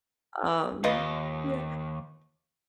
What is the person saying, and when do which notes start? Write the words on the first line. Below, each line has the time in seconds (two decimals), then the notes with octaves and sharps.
um, yeah.
0.84 D#2 F4 B4 D#5